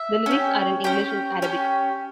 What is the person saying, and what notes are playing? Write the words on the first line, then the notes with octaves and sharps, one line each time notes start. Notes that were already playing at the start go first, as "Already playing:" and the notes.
The lyrics are in English and Arabic.
Already playing: E5
C#4 G4
C#4 G4 G5
C#4 G4